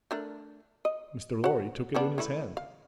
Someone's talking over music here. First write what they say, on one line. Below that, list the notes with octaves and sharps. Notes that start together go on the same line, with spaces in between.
Mr. Lorry took it in his hand.
A3 D4 A#4
D#5
F#4 F#5
G3 B3 D4
E3 A3 E4
F5